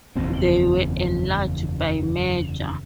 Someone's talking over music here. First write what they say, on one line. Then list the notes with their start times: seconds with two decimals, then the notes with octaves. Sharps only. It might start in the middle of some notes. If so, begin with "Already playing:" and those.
They were enlarged by merger.
0.15 F#1 E2 B2 A#3 C4